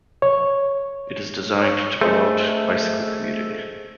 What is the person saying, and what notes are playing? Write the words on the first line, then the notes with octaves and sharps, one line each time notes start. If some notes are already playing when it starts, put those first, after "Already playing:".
It is designed to promote bicycle commuting.
C#5
C#5
A3 G#4 C5 D#5